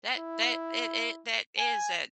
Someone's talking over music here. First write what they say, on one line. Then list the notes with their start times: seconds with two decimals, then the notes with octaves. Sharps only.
That that it it that is that
0.17 E4
1.58 G#5